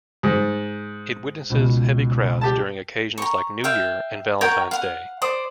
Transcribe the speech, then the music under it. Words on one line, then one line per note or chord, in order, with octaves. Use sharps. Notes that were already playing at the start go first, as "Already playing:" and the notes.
It witnesses heavy crowds during occasions like New Year and Valentine's Day.
G#2
C#2 B2
G4 A5
A#5 C#6
E5 F5 G5
A#4 C#5 F#5 G5
F5 F#5
C5 D5 D#6